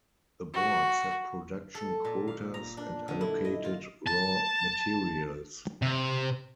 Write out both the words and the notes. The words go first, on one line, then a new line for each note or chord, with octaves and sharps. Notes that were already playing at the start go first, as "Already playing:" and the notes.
The board set production quotas and allocated raw materials.
F#4
A4
A#2
F5
A#5
D4
D3
E4
D#5
F4
A5
C3